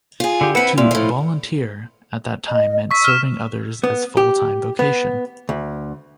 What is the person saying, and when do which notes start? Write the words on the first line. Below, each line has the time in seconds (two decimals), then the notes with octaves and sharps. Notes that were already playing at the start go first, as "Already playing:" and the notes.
To "volunteer" at that time meant serving others as a full-time vocation.
0.20 F4 G#4
0.41 D3 G4
0.55 C4 E4 B4 F#5
0.78 A#2 E4 F4
0.91 A2 F3
2.48 D#5
2.91 C#6 E6 B6
3.04 F6 E7
3.84 B3
4.17 G4
4.79 B3
5.49 D2